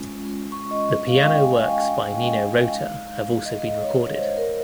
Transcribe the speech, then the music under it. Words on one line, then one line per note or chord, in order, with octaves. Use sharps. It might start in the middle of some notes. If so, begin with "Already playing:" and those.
The piano works by Nino Rota have also been recorded.
Already playing: G#3 C#4 F4
C#6
D#5
D#5
F5
F5
G5
G#5
G5
F5
D#5
D#5
F5
G#3 D#4
D#5
C#5
C5
A#4